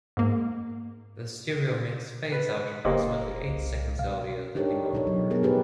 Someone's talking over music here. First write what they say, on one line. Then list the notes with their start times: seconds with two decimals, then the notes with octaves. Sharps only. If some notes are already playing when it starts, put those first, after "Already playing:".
The stereo mix fades out approximately eight seconds earlier than the mono version.
0.17 G#2 A#3
2.32 B4
2.85 F1 A#3 G4 C5 D#5
3.48 C2
3.99 B2 F5
4.55 D4 D#4 G4 A4 A#4 C#5
4.93 B2 D#4 C#5
5.07 F#3
5.30 B3 G#4 A#4
5.42 F3 D#4 G4 B4